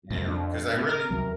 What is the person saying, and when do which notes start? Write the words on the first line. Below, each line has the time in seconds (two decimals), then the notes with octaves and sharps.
and 'cause I really
0.11 F2 G#2 C3
0.27 A#3 D4
0.74 A2
0.89 A#4
1.11 D#2 C3 F#3